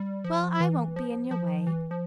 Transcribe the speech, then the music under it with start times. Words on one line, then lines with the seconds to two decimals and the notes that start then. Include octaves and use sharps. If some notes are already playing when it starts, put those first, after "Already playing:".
Well, I won't be in your way.
Already playing: G3
0.24 F3
0.60 E3
0.96 F3
1.31 F3
1.67 E3
1.91 F3